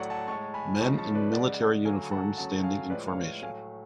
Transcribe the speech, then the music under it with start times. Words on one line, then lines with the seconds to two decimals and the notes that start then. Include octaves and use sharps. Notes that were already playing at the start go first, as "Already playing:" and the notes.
Men in military uniforms standing in formation.
Already playing: A2 F#3 A3 D5 F#5
0.10 F#5 A5
0.27 A2 G#3 A5 C#6
0.54 G#5 B5
0.80 C#3 F3 G#3 A5 C#6
0.98 A5 C#6
1.15 B4 D5
1.33 C#3 G#3 D5 F#5
1.85 D3 F#3 A3 F5 G#5
2.11 F#5 A5
2.37 C#3 F#3 A3 F#5 A5
2.63 F5 G#5
2.90 A2 F3 G#3 B4 D5
3.07 C#5 F5
3.42 A2 F#3 A3 F5 G#5